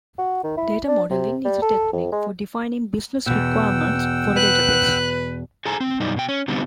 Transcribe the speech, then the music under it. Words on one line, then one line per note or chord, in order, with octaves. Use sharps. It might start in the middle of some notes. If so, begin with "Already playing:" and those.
Data modeling is a technique for defining business requirements for a database.
F#4
D#3
E4
D4
C3
G3
A4
F2
G#3
E2 B2 F#5 G5 E6
B4 F#6
G#4 A4 G#5 A#5
C4
F#2 B2 G3 D#4
B2 G5
C#4
D3 G3 B3 C4 D#4